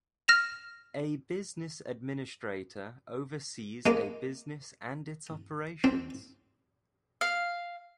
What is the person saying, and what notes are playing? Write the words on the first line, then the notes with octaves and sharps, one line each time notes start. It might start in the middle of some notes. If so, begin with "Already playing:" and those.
A business administrator oversees a business and its operations.
F6 A#6 E7 F7
G#3 A#3
C4
F5